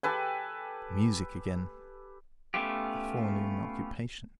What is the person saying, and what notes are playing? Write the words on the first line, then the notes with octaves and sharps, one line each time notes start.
Music again, the forenoon occupation.
G4 A4 B4 G#5
A3 B3 C#4 F4 G4